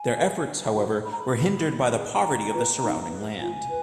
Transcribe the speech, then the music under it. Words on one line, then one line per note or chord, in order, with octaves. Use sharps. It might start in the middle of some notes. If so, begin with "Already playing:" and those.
Their efforts, however, were hindered by the poverty of the surrounding land.
Already playing: G#5
G#4 B4
D4
F#4 A#4
D4 B5
A#5
B5
G#4 B4
D4
G#4 B4
D4 A#5
F4 B4
D#4
G#4 B4
F4 G#5
B4